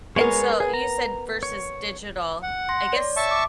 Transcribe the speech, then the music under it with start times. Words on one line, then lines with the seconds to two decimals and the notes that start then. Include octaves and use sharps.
And, so, you said, versus digital I guess
0.16 G#3 B3 G#4 A#4 C#5
0.60 G#4
0.74 A#5
1.43 C#5
2.43 F#5
2.69 C6 A#6
2.93 C#5 D5
3.17 E5 A5 C#6
3.31 D6